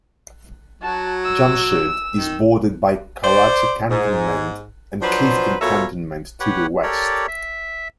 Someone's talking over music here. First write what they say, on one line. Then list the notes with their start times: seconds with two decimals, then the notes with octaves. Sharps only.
Jamshed is bordered by Karachi Cantonment and Clifton Cantonment to the west.
0.82 F#3 F#4 A5
1.24 E6
2.14 D#3
3.24 C5 D5
3.90 G#2
5.02 F3 F#3 D4 B4 C5
5.61 B2 F4 A4 A#4 C#5 E5
6.40 G4 B4 C#5 F#5
6.83 G4 A4 A#4 C#5 D5
7.28 E5